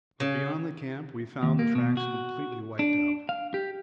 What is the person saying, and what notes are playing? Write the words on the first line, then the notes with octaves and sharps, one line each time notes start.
But beyond the camp we found the tracks completely wiped out.
C#3
D#2
A#3
B2
F#4
D4
F5
G4